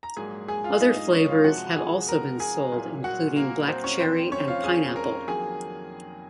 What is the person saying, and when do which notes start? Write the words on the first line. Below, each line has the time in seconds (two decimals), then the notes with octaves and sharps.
Other flavours have also been sold including black cherry and pineapple.
0.03 A#5
0.17 A#1 G#2 F#3 A#3 G#4 G#5
0.48 G#4 G#5
0.64 F4 F5
0.81 D#4 D#5
0.97 D#4 D#5
1.13 C#4 C#5
1.28 F4 F5
1.44 F2 C3 F3 G#3 F#4 F#5
1.76 G#4 G#5
2.08 A#4 A#5
2.40 G#4 G#5
2.72 C2 A#2 F#3 A#3
3.04 F#4 F#5
3.36 A#3 A#4
3.68 C4 C5
3.84 C#4 C#5
4.00 F1 F2 D#3 A#3 C4 C5
4.32 C#4 C#5
4.48 F4 F5
4.64 G#4 G#5
4.96 A#4 A#5
5.28 F2 D#3 F#3 A#3 G#4 G#5